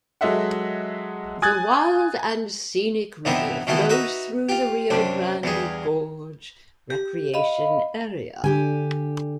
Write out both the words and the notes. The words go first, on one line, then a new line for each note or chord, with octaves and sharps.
The Wild and Scenic River flows through the Rio Grande Gorge Recreation Area.
F#3 G#3 A4 D#5 E5 F#5
G#5 D#6 F#6 G#6 A6
G2 C3 E3 B3 D#4 E4
B2 D#3 E3 A3 B3 E4
D#4 F#4 B4 D#5 E5
F4 G4
F#2 C3 D4
E2 G2 G#4
G4
D#5 F5 B5
D3 G4 G#5